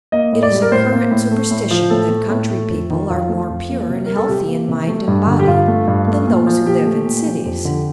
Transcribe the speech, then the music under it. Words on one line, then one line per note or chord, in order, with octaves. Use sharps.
It is a current superstition that country people are more pure and healthy in mind and body than those who live in cities.
A#3 D#5
A2
D5
G3
A#4
A2 C5
A#3
A2
A3
A2
F3
A2 A4
A3
A2
A3
F2
D#3
F2 F4
A3
F2
A#3
C3
G3 A#4
A4
C3 G4
A#3
C3
A3
G2
D3
G4
G2 F4
A3
G2
A3
A#2
F3
A#2 G4
A3
A#2
F3
F2
D3